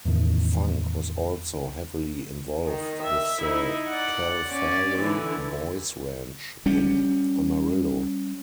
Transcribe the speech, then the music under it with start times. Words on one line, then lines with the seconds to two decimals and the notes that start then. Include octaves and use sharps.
Funk was also heavily involved with the Cal Farley Boys Ranch in Amarillo.
0.05 E2 A2 D#3
2.65 D#3
3.02 E5
3.42 D#4 E4
3.89 D5 F#5
4.49 C#4 D5
4.99 D3 E3
6.66 G3 C#4